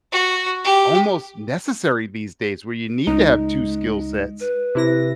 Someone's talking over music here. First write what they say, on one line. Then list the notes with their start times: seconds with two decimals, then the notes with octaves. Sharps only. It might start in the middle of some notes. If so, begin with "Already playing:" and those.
almost necessary these days where you need to have two skill sets.
0.12 F#4
0.64 G4
3.07 C#2 G#3 D#4
4.40 B4
4.75 C3 E4 A#6